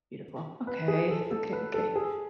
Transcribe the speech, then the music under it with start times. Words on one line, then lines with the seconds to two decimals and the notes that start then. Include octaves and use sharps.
Beautiful. Okay. Okay, okay.
0.67 B4
0.88 G#4
1.10 A4
1.31 A4
1.53 B4
1.74 A4
1.96 G#4